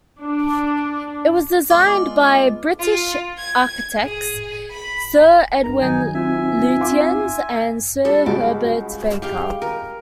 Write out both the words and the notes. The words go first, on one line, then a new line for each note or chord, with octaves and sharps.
It was designed by British architects, Sir Edwin Lutyens and Sir Herbert Baker.
D4
G#3 B3 F4 D5 D6
F4
G#6
G#4
B5
G2 A#4 A#5
D#3 F#3 D#4 G#5
C4 D#4 F4 E5 G#5
F5 C6 D6
G3 A4
C#2 C#3 F#4 D6
G4 F5 G5
A#4